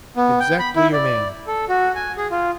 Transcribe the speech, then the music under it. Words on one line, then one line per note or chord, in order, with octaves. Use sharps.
"Exactly your man."
B3
G5
B5
E4
D5
A4
F#4
G#5
G#4
F4